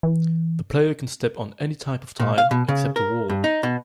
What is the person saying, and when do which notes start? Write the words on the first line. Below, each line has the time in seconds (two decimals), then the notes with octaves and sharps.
The player can step on any type of tile except a wall.
0.03 E3
2.19 A#2
2.38 F5
2.51 B2
2.68 C#3
2.96 A#4
3.30 G2
3.44 D#4
3.63 B2